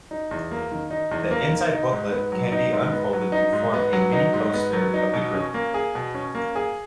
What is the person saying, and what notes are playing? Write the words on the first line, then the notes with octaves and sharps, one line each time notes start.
The inside booklet can be unfolded to form a mini-poster of the group.
D#4
E2
A#3
D#3
D#4
E2
A#3
D#3
D#4
G#2
B3
F#3
D#4
G#2
B3
F#3
D#4
G#2
B3
F#3
D#4
G#2
B3
F#3
D#4
B2
C#4
A#3
G#4
B2
C#4
A#3
G#4